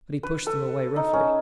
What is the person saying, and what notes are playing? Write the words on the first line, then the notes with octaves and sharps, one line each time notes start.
But he pushed them away roughly.
B4
A4
D#4
C#4